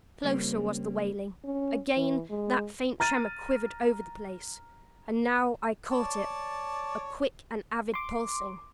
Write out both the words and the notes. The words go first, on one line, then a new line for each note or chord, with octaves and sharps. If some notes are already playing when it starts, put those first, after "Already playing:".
Closer was the wailing; again that faint tremor quivered over the place. And now I caught it--a quick and avid pulsing.
C#3 G3 A#3 C4 C#4
C#4
E3
G#3
A#5 F6 A6 D#7
C#5 D5 A5
C6 D6